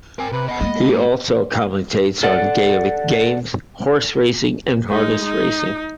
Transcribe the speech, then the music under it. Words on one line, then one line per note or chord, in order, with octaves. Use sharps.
He also commentates on Gaelic games, horse racing, and harness racing.
C4 A#4 G#5
C3 B4
B3 D#5 F#5
G#3 A#3 D#5
G#2 A3 G4
A4 D5 F#5
G#3 D#4
D#4